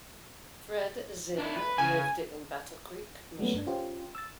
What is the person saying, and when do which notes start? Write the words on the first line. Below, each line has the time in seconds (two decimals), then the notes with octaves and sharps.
Fred Zinn lived in Battle Creek, Michigan.
1.38 D4 E4
1.57 B4
1.78 C#3 G#5
3.39 F#3 G3 A3 B3 C#4
3.54 G2 D4
3.67 C#4 F4 G4 C5
4.15 E6 A6